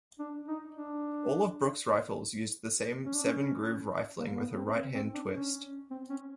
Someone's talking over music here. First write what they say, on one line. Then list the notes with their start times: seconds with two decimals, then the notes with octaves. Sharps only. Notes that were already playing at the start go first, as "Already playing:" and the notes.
All of Brooke's rifles used the same seven-groove rifling with a right-hand twist.
0.19 D4
0.48 D#4
0.76 D4
3.05 C#4
3.15 D4
3.25 C#4
4.19 A#3
4.31 A#3
4.38 B3
4.57 C4
4.76 C4
4.95 C4
5.14 D4
5.33 C#4
5.90 C4
6.10 C#4